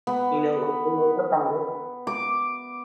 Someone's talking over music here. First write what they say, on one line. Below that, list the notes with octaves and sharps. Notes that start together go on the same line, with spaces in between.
you knew it was below the belt
B3
D6